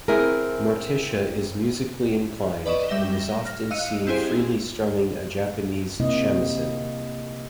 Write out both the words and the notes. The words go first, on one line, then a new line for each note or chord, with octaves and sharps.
Morticia is musically inclined, and is often seen freely strumming a Japanese shamisen.
C4 E4 G#4 A#4
B4 D5 D#5 C#6 E7
G3 E5 A#6 E7 G7
F6 A#6
D#5 F5 E6 F#6 C#7 D#7
C4 E4 G4 G#4 C5
C3 A#3 E4 D#5